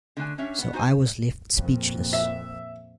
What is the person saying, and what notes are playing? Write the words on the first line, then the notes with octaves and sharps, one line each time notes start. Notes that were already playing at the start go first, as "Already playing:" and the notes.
So I was left speechless.
D3 A3 D4 G#5
G3 C#4 D4 C#5 E5
B3 F#5
D4 D#4 F#4 G#4 C5 G#5
F2 A#2
E5